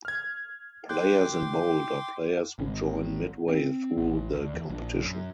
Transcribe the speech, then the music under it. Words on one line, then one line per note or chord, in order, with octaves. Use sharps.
Players in bold are players who join midway through the competition.
F6 G#6
G5 C6 D6 F#6 G6
G#1
C4
A1
D2
E2
A#1
F#2